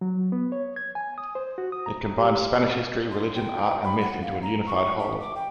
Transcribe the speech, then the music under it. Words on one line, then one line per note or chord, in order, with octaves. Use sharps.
It combines Spanish history, religion, art, and myth into a unified whole.
F#3
B3
C#5
G#6
G#5
D#6
C5
F#4
D#6
A#5
G4
C6
G5
B5
F#5
F5
A#5
C#6
E5
D6
G5